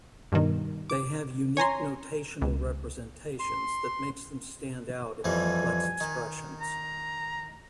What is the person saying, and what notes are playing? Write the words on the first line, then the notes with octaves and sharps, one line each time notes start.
They have unique notational representations that makes them stand out in complex expressions.
G2 B2 D#3
D6
C#5 G#5 A#5 C6
C#2
C6
F2 E3 G3 G#5
D#3
A#5